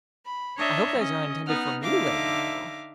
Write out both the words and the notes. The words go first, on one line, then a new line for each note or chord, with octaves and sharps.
"I hope that is not intended for me, Lady Mabel."
B5
D4 C#5 D#5 E5 A#5
C#4 D#5
B3 D#4 F#5 F6
D3 D#4 E5 F5 D6 A#6